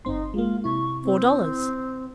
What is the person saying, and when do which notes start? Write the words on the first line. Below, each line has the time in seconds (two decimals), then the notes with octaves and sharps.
"Four dollars."
0.05 G1 C4 D#4 C6
0.34 G#3 A#3 F4
0.64 C3 E4 C#6
1.03 C4